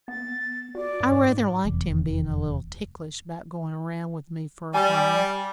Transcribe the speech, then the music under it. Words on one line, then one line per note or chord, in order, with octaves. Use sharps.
I rather liked him bein' a little ticklish about goin' around with me for a while.
B3 A6
F#4 D5
G2
G#2
F1 E2
G3 G#5